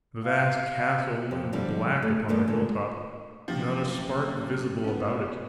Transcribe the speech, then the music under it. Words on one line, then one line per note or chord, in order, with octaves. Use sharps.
The vast castle loomed black upon the hilltop, not a spark visible about it.
F5
F2
D3 F3 G3 D4
A3
E2 B2 A3 A#3 D4
D3 G#3
F#1 C3 F3
B3 C#4